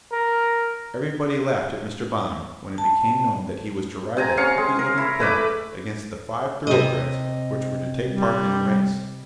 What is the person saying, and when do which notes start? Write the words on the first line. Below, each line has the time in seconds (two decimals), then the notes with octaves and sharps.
Everybody laughed at Mr. Bonham when it became known that he was to ride that poky-looking plug against the five thoroughbreds which were to take part in the race.
0.12 A#4
2.78 A5
4.17 C3 G#5 A#5
4.37 C#4 F5 C#6
4.57 G#3
4.79 A#4
4.98 E4
5.20 A3 B4 D6
6.67 C3 D#5
8.08 G3